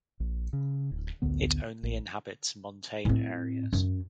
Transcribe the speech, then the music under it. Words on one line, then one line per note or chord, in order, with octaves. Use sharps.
It only inhabits montane areas.
A#1
C#3
D1
A1 D2 D3 B3
A1
A2 C4
F#2